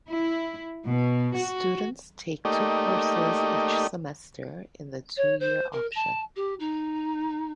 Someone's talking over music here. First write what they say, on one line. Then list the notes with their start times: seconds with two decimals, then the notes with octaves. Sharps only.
Students take two courses each semester in the two-year option.
0.10 E4
0.87 B2
1.36 F#4
2.45 A3 A#3 D#4 G4 D5 D#5
5.17 C#5
5.40 C5
5.72 A#4
5.95 A5
6.36 G4
6.59 D#4